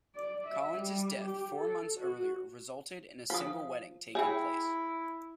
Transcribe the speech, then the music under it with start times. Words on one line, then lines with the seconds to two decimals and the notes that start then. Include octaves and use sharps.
Collins' death four months earlier resulted in a single wedding taking place.
0.16 D5
0.47 E5
0.78 G3
1.24 G4
1.56 A4
1.95 F#4
3.30 F3 F5 D#6
4.15 E4 G#4 C#5 E5 G5